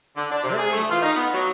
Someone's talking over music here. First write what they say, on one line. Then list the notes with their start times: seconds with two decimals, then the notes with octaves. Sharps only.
very they're a
0.17 D3
0.32 D4
0.44 C3
0.58 G#4
0.73 A3
0.90 F4
1.02 D#4
1.16 B3
1.34 F#3